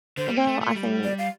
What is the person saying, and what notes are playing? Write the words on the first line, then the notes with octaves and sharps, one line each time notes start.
Well, I think
D3 C5
G3
A#3
A3
A3
G3
D5
F5